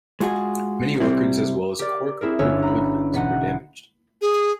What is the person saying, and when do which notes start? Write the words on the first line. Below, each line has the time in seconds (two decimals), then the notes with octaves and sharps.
Many orchards as well as cork oak woodlands were damaged.
0.20 G#3 F4 F#4 G#4
1.00 C3 G3 C4 E4
1.79 G4 A#4 D5
2.21 C4 E4 G#4 A#4
2.39 G1 C#4 D4 C#5 E6
2.63 A#5 B5
3.13 E1 B3 D#4 F#5 F#6
4.22 G#4